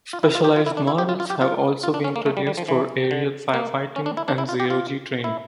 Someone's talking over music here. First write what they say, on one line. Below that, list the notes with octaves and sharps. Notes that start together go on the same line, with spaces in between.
Specialized models have also been produced for aerial firefighting and zero-G training.
F4
E4
F4
G4
F4
E4
D4
E4
G4
F4
F4
G4
F4
F4
D4
C#4
A#3
A3
G3
G3
F3
E3
D3
A#3
C#4
D4
E4
D4
E4
F4
G4
F4
E4